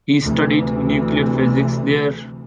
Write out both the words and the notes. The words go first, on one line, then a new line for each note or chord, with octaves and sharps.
He studied nuclear physics there.
D2 C3 E3